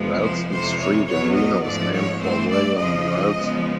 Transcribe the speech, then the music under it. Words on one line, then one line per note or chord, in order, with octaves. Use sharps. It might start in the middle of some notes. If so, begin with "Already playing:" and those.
Ralston Street in Reno is named for William Ralston.
Already playing: F2 C3 F3 G#3 B3
C5
F2 C3 E3 C5
C#5
E2 B2 F#3 B3 C#5
D#5
G#2 F3 A3 D5
C#5
G2 E3 A3 C4 C5
D5
F2 C#3 F3 D#5
C#3 F3 G#3 B3